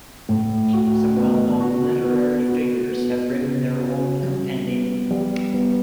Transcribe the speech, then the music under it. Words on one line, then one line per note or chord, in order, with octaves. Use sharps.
Some well known literary figures have written their own compendium.
A2
F#4
B3
F#4
B3
F#4
B3
C#3
F#4
G3
B3
G3
B3